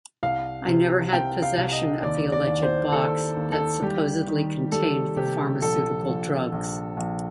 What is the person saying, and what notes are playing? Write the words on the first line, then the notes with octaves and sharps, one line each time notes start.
I never had possession of the alleged box that supposedly contained the pharmaceutical drugs.
C2 F5
C3
C3 G5
F5
C2
D#5
D#2 D5
D5
D#2
C5
D#2 A4
D#2
A4
G3 G4
D#3
G3 A4
C3 G4
A#1 A4
A#1
A#1
A#1